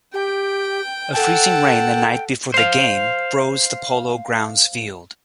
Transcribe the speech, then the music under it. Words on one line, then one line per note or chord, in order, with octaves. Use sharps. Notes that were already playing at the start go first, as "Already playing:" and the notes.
A freezing rain the night before the game froze the Polo Grounds field.
G4 G5
A4 F#5 G5
C5 F5